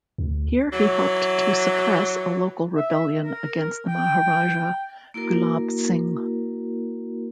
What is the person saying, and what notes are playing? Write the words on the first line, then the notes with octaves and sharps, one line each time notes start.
Here he helped to suppress a local rebellion against the Maharaja, Gulab Singh.
D2
E3 F#3
E5
A#4
G5
A#3 E4 F#4 A#4